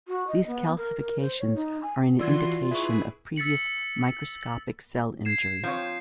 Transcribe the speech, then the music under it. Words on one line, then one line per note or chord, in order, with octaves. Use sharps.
These calcifications are an indication of previous microscopic cell injury.
F#4
D#5
B3
A#4
A#4
C5
C#5
D#4
G#5
E3 F4 F#4 D5 C6 E6 G#6
E4 G#4 B4 E5 C#6
E6 A6 B6 C#7 F#7
G#6 C7 E7
F3 C4 C5 C#5 G6 G#6